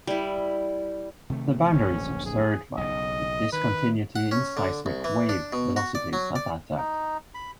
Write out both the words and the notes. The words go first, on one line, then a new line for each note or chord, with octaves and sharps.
The boundary is observed via the discontinuity in seismic wave velocities at that depth.
G3 E4
C3 D#3 A3
D1 A#1 G2 C#4
G#4
B1 C#3 D#5
D#3 B4
F#5
C#4
D3
C2
E3
D4
B2
F#4
D5
F#3
D5
D#4
B5